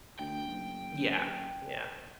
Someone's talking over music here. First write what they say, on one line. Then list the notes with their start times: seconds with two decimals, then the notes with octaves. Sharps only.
Yeah, yeah.
0.19 D2 G5
0.47 F#1